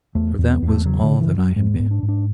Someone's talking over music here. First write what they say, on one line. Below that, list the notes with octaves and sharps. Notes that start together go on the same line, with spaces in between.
For that was all that I had been.
E2 A3
E2
B3
E2
A3
C#3 F#3
D3
C#3
E3
F#2
F#3
G#2 G#3
B3
G#2
D4
G#2
D4